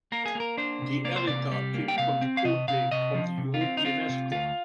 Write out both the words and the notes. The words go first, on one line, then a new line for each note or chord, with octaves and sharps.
The "Erika" came from the code-name from the European Escort.
A#3 A#4
G#4
A#3 A#4
D4 C5
C3
A#3 D5
C5
C3 D5
G3
A#3
G5
C3 F5
C4
F5
C3 D#5
C3 F5
C3 D#5
F3
C3
F4
C4
D#4
C4 F4
C3
D2 F4